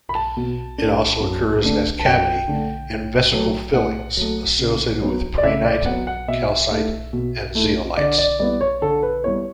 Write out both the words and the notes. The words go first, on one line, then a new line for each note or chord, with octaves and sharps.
It also occurs as cavity and vesicle fillings associated with prehnite, calcite, and zeolites.
B5
A5
B2
A3 D4
F#2
D3 A3 D4
A5
F#2 G5
D3 A3 D4
A2
F#3 A3
A2 F#5
F#3 A3
C#3
F#3 B3
D5
C#3 E5
D5
F#3 B3 F#5
F#5
B2 E5
A3 E4
B2
A3 E4
D3 D5
D5
G3 B3 E4 D5
C#5
D3 A4
B4
G3 B3 E4 C#5